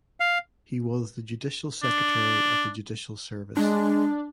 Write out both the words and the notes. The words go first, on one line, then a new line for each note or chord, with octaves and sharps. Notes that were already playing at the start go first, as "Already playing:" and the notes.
He was the judicial secretary at the Judicial Service.
F5
D4
G#3 D4